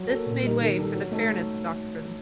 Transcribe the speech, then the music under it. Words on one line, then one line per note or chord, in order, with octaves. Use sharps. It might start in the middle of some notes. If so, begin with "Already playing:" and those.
This made way for the Fairness Doctrine.
Already playing: F#3
A#3 F#4 A4
A#2
G3 A#3 D#4
D#3
G3 D4 A4
F#3
A3 D#4 A4